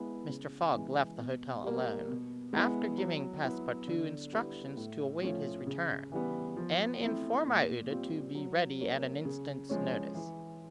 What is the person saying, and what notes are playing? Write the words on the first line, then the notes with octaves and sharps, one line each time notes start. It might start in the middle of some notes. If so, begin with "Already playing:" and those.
Mr. Fogg left the hotel alone, after giving Passepartout instructions to await his return, and inform Aouda to be ready at an instant's notice.
Already playing: G#3 B3 E4
C#3
E3 G#3
B2
G3 A#3
B2
G#3 B3 E4
F#3
B3 E4
D3
G3 B3 E4
A2
F3 A3 C#4 F4
C#3
E3 G3 B3
F3
A3 C4 E4
A#2
G3 C4 F4
F#3
A#3 C#4
C#3
F3 G#3 C#4
E3